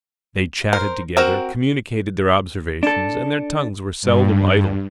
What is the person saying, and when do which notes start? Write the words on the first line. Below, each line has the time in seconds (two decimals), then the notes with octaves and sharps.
They chatted together, communicated their observations, and their tongues were seldom idle.
0.73 A#4 C5
1.17 C4 F#4 A#4
2.83 D4 A4
4.02 G2